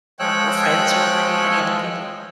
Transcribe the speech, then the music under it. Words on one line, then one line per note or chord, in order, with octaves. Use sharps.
or or friends, or any any other people?
F3 G#3 C#5 G5 E6 F#6